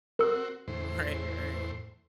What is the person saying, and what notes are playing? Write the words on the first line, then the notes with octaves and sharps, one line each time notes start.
Mm, right, right.
C4 F#4 A#4 E6
E2 A2 C5